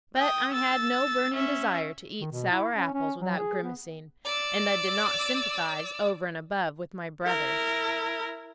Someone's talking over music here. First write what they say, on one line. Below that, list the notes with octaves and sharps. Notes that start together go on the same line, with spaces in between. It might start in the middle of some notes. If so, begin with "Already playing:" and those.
But I had no burning desire to eat sour apples without grimacing, and I did not sympathize over and above with my brother.
G5 D#6
E6 A6
C#4 E5
D#3
B2
E4
C#4
C#4
F#3
G#4
B3
D5 E6
E4 A#4